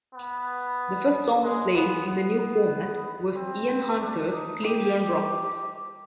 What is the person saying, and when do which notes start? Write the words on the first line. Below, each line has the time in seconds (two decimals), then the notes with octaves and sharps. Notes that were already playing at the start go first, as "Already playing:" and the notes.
The first song played in the new format was Ian Hunter's "Cleveland Rocks".
0.14 B3
1.43 G#3
1.75 B3
2.07 B3
3.36 C4
4.00 D4
4.32 D#4
4.64 G4